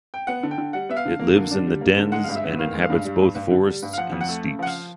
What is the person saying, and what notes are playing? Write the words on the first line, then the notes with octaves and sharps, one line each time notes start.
It lives in dens and inhabits both forests and steppes.
G5
B3 F#5
D3
G5
D3
G3 F#5
B3 E5
F5
D3
A#3
D3
D4
G3
A#3
D3
G#3 F#5
G2 F5
E5
B3
D#3 F5
G#3
F5
G2
G3
G2
G2
D3
G3
G2
F5
F3 F#5
F2
F#5
A3
C#3
F3 F#5
F5